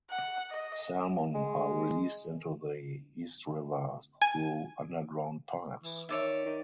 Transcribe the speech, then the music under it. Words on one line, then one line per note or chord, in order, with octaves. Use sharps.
Salmon are released into the East River through underground pipes.
F#5
D#5
G#3
G#5
E3
D#3 C#5 D5 E5
D#3